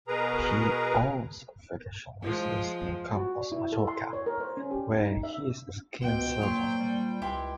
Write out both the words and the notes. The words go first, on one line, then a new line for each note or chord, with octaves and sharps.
He owns a vacation residence near Campos, Majorca, where he is a keen surfer.
B2 G#4 A#4 B4 A#5
F3 G#3
F#4
D5
E4
A4
C6
C#5
A#4
C5
C#4
G4
D#4
E5
C#2 B2 C5 G5
A#2 F#3 C#5 C6
G3
C#2 E4 G4 C6